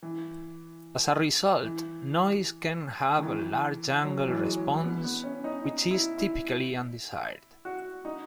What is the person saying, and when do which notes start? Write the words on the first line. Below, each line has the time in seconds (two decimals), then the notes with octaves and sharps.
As a result noise can have a large angle response which is typically undesired.
0.02 E3
1.63 E3
3.19 D#3
3.23 E3
4.04 F#3
4.28 E3
4.36 F#3
4.44 G#3
4.84 B3
5.04 B3
5.24 C#4
5.44 D#4
5.64 D#4
5.91 E4
6.18 E4
7.65 F#4
8.05 D#4